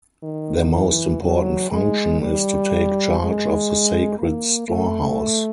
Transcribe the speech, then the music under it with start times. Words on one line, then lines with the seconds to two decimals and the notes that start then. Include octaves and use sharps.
Their most important function is to take charge of the sacred storehouse.
0.23 D#3
0.73 E3
1.22 F#3
1.71 G#3
2.21 G3
3.21 G#3
4.19 A#3
4.68 A3